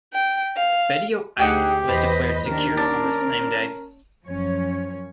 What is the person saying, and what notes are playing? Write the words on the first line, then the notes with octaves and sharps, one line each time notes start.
Betio Island was declared secured on the same day.
G5
F5
D2 D#4 G4 G#4 F#5 G5
E2 B4 C5 D#5
D#2 D#3 D4 A#4
C#4 D4
F#2 F3 C#4 C#5